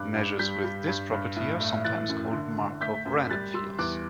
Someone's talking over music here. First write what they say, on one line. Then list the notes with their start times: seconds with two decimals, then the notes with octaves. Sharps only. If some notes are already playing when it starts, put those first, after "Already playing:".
Measures with this property are sometimes called Markov random fields.
Already playing: G2 D6 F#6
0.15 G2
0.39 G3 G6 B6
0.64 G3
0.88 G2
1.12 G2
1.36 A2
1.60 A3
1.85 E3 F#6 A6
2.09 F#2
2.33 D3
2.57 D3
2.81 A3 G6 B6
3.06 F#2
3.30 G3 F#6 A6
3.54 G3 C6 E6
3.79 E2 D6 F#6